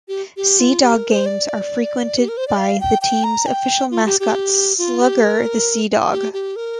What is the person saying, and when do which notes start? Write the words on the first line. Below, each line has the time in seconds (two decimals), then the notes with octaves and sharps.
Sea Dogs games are frequented by the team's official mascot Slugger the Sea Dog.
0.08 G4
0.37 G4
0.59 F4
0.82 G4
0.95 A#4
1.10 C5
1.26 D5
2.18 G4
2.28 A#4
2.37 C5
2.48 D5
2.58 F5
2.81 G5
3.02 G5
3.24 A#5
3.47 G5
3.91 F4
4.05 G4
4.20 G4
4.78 F4
5.01 G4
5.23 A#4
6.12 G4
6.33 G4
6.56 A#4